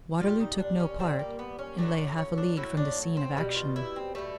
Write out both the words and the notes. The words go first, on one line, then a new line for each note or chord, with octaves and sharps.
Waterloo took no part, and lay half a league from the scene of action.
A#2 G3 F4
D#4
D4
C#4
A#2 G3 C4
A#3
B3
C#4
A2 F#3 A3 D4
D4
C#4
D4
A2 F#3 A3 E4
D4
C4
B2 G3
F4
E4
C4
B2 G3 A3